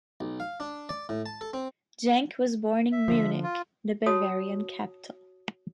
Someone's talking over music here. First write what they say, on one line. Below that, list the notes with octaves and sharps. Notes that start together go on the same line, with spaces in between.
Jank was born in Munich, the Bavarian capital.
B1
F5
D4
D5
A2
A5
A4
C4
E5
D3 F3
F4
F#4 C#5 A5 D#6